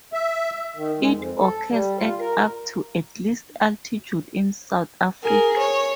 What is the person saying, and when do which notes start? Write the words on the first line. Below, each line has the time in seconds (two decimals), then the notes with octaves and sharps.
It occurs at up to at least altitude in South Africa.
0.13 E5
0.75 D#3
1.00 G#3
1.14 F2
1.39 A4
1.70 G3
1.99 F4
2.20 A#4
5.22 G#4 A#4
5.58 C#5